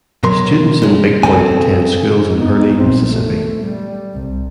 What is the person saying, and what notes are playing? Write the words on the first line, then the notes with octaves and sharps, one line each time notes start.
Students in Big Point attend schools in Hurley, Mississippi.
B2 F#3 A#4 C6
G#3 C#4
C#3 C4 A4 G#5
B3 D#4
A#1 C4
A3
G3
C2